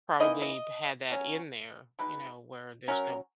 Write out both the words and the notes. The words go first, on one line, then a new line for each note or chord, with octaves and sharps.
probably had that in there, you know, where there's no
E3 A#3 D#4 D#5
D#5
B2 F#3 C#4
B2 G#3 D#4 B4
F#3 C#4 A#4